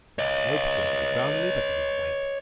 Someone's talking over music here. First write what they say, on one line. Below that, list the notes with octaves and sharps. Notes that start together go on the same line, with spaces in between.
The White Hope gurgled drowsily, but did not wake.
C#5 D#5